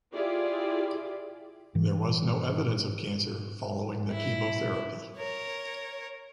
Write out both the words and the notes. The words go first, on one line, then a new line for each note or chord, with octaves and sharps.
There was no evidence of cancer following the chemotherapy.
E4 F4 G4 G#4 D5
G#2 E3
E4
A#4 C#5